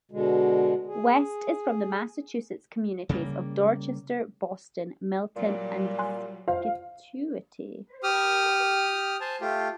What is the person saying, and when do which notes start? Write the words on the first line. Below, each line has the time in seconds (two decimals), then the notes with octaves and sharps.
West is from the Massachusetts communities of Dorchester, Boston, Milton and Scituate.
0.11 B2 D3 G#3
0.87 G#4
3.09 C#3 G3 G#3 A#3
5.36 A#2 F#3 G3
5.99 G#5 C6 F#6
6.48 F4 C5 F5
8.03 G4 D#6 F6
9.21 C5 G#5 A5
9.41 A3 F4 G4